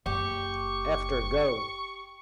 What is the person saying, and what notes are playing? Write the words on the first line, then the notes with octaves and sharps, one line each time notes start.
After Go!
F#1 G4 C#6